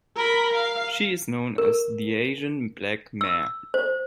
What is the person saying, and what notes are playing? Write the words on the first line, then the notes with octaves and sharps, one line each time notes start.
She is known as the Asian Black Mare.
A#4 B5
F5
A#4
E6
C5